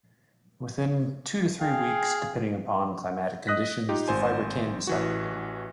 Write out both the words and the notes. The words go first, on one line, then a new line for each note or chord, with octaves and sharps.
Within two to three weeks, depending upon climatic conditions, the fibre can be separated.
G#4 F5 G5
D#5 D#6 F#6 A#6 B6
D#4 F4 G4
G#1 C5 G#5
A1 E3 F#4